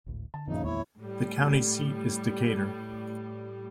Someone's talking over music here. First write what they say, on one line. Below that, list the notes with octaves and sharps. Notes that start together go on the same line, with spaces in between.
The county seat is Decatur.
G#1 D2 A2
D3 A5
D#1 A#1 F#2 C#3 F3 D#4
E2 G#3 B3 E4 C#5
A2 G3